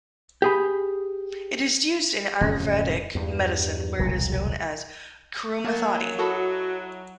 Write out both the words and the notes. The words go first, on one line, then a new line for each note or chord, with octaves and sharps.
It is used in Ayurvedic medicine, where it is known as kurumthotti.
G4 G#4 B5
D1 F2 C3 C#4
E2 G2
E1 C2 A#2 F#3
F#3 A#3 A5
E4 F#4 A4 D#5